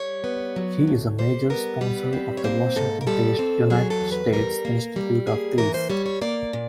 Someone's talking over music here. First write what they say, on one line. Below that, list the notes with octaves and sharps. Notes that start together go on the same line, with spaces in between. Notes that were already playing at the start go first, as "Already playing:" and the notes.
He is a major sponsor of the Washington-based United States Institute of Peace.
Already playing: G3 C#5
B3
F#3
D2
G3 C5
B3 A#4
G3 B4
C4
C#5
A#3 C5
G#2 A4
A#4
G3 A4
C4
F#3 G#4
A4
E2
B4
G3 A#4
A#3
G3
A#3 G#4
E3 A#4
C5
G3 C#5
C#5
A#3 D5
A#2